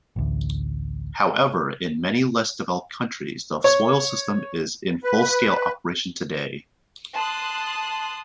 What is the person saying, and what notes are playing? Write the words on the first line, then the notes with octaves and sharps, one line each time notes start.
However, in many less developed countries, the spoils system is in full-scale operation today.
A1 D2
C#5
B4
A5 C6 D#6 F#6